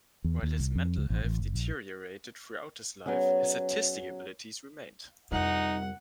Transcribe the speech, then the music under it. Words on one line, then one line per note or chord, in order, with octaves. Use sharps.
While his mental health deteriorated throughout his life, his artistic abilities remained.
E2
D#2
C2
F2
C#2
A1
A1
F#1
A#1
F#3 B3 C#4 G#4
C2 F2 D#4 F4 F#5